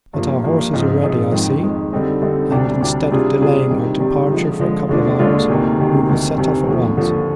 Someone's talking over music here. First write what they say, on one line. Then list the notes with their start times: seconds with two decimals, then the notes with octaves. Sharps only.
But our horses are ready, I see; and, instead of delaying our departure for a couple of hours, we will set off at once.
0.13 G2 F3 A#3
0.44 G2 F3 A#3
0.73 G#2 F3 C4 F4 G#4
1.03 G#2 F3 C4 F4 G#4
1.32 F2 D#3 G#3
1.63 F2 D#3 G#3
1.93 D3 G3 C4 D#4
2.22 D3 G3 C4 D#4
2.51 D2 C3 G3 D4 G4
2.81 D2 C3 G3 D4 G4
3.12 C3 G3 D4 F4 G#4
3.41 C3 G3 D4 F4 G#4
3.71 C3 D#3 G3
4.00 C3 D#3 G3
4.30 D3 F3 G#3
4.60 D3 F3 G#3
4.89 D#2 D3 G#3 D4 F4
5.19 D#2 D3 G#3 D4 F4
5.49 D2 C3 D#3 A#3
5.79 D2 C3 D#3 A#3
6.09 D2 C3 D#3
6.38 D2 C3 D#3
6.68 D#2 D3 F3
6.97 D#2 D3 F3